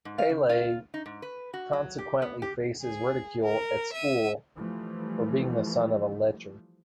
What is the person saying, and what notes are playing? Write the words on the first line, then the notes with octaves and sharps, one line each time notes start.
Pelle consequently faces ridicule at school for being the son of a lecher.
G#2
F5
C#3
F4
D#4
G#2
B4
F#4
F#3
G4
B3
G4
G#4
A#4
E5 D#7
E3 F3 G3 A3